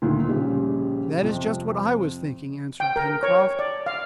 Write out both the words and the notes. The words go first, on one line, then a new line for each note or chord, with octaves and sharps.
"That is just what I was thinking," answered Pencroft.
D2 A#2 D#3
A#1 C#3 G3
F2 C3
G5
A#4
C#5
D5
F5